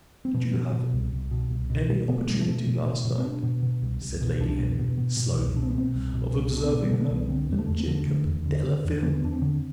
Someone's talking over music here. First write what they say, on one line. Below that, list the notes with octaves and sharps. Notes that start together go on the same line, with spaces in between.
"Did you have any opportunity last night," said Lady Henry, slowly, "of observing her and Jacob Delafield?"
C4
B2 B3
B2
B2
C2
C2
B2
C2
B2
B2
B2 B3
A3
B2 G3
A3
B2
B2
B2
B2
C4
B2 D4
B2
B2
C2
C2
B2
C2 D4
B2
B2
B2
B2
C2
B2 D4
C4
B3
B2 C4
C2
B2
C2
B2
D4
C4
B2 B3
G3
B2 A3
B3
C2
D3 C4
E2 G3
A3
E2
B3
D3 A3
D3
E2
D3
D3
E2
D3 B3
E2 D4
C4
D3